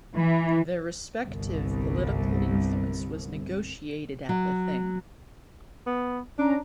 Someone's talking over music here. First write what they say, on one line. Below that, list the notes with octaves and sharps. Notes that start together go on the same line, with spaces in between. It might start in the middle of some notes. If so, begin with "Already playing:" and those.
Their respective political influence was negotiated at the thing.
E3
G1 C2
F#3
B3
C#4 D4 A#5